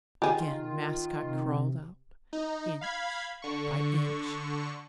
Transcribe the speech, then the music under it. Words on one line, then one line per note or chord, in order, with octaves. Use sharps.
Again "Mascot" crawled up, inch by inch.
D#3 F4 G4 G#4
C3
D#4
F5 B5 G#6
D3 C#6